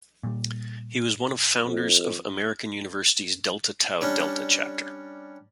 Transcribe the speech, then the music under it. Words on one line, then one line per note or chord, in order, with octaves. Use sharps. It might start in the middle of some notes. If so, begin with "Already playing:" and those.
He was one of founders of American University's Delta Tau Delta chapter.
A#2 G3
F2
G3 C#4 D4